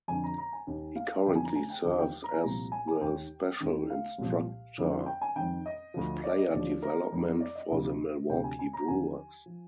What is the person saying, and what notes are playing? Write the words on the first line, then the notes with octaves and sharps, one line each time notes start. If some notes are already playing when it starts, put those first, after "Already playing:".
He currently serves as the special instructor of player development for the Milwaukee Brewers.
F2 D3 F3 G#5
A#5
A#5
G#5
D#2 D#3
F5
F2 D3 F3 G5
G#5
A#5
G#5
G5
D#2 D3 F3 F5
G5
A#5
G#5
C2 A#2 F3 A#5
G#5
G#5
D#2 D#3 G5
D#2 D#3
F5
C2 A#2 F3
F2 D3 F3
G5
G#5
F2 D#3 G5
D#5
D2 D3 F3
D5
D#5
D#2 D3 F3 D5
A#4
F2 D#3
D5
D#5
D2 C3 F3
D2 C3 F3 G5
G#5
G#5
A#5
D#2 D3 F3 G#5
F3